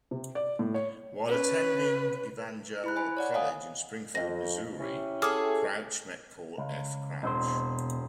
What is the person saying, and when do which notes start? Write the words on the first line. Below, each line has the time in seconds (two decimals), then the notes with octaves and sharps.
While attending Evangel College in Springfield, Missouri, Crouch met Paul F. Crouch.
0.11 C3
0.35 D5
0.59 A2
0.74 C#5
1.29 C#4 B4
2.84 E4 B5 F#6
2.96 C5 G#5 B5
3.17 C#5 D5 F#5
3.34 D#5 F5 F#5 G#5 D#6
4.15 F2 D#5 A#6
4.80 C#4 E4 G4
5.22 G#4 A4 D6 D#6 F6
6.58 C#2
7.23 E1 B2 C4 C5